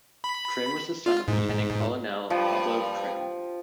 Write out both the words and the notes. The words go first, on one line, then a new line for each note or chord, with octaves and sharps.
Prim was the son of lieutenant colonel Pablo Prim.
B5
F4
G#2
G2 F3